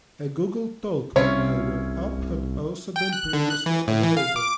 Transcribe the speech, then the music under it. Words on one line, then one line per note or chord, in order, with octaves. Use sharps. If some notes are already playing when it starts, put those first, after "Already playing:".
A Google Talk mobile web app had also been previously available.
C2 C3 C#4 E4 F4 C#5
G5
F#6
D3
F#6
E3
A2
E3
F5
D6